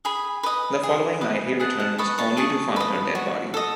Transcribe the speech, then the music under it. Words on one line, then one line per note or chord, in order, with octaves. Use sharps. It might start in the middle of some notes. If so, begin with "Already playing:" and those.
The following night he returns, only to find her dead body.
G#4 G#5 B5
B4 D#5
G#4
B4 D#5
G#4 F#5 A5
F#5 A5
B4 D#5 A5 C#6
A5 C#6
G#4 A5 C#6
B4 D#5
F#4
A4 D#5